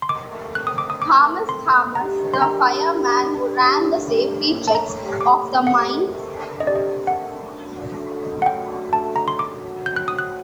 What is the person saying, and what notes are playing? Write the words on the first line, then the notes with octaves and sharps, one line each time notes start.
Thomas Thomas, the fireman who ran the safety checks of the mine.
C6
D#3 D6
A3
C4 F#6
D#6
D#4 D6
D#6
D#3 D6
A3
C4 C6
D#4
G2 A#5
D#3
C6
G3 A#5
G2
G2
D#3
G3
G2
A2
G3
A#3
A2
A5
A2 A#5
G3
A#3 D6
A2
C3 F#5
D#3
A3
D4
C3 D#5
D5
D#5
D#3
A3 F#5
D4
F#2
D3
A3
D#4
F#5
F#2 G5
D3
A3 A5
D#4 A#5
C6
F#2 D6
F#3
C4 G6
F#6
F#4 D#6
F#6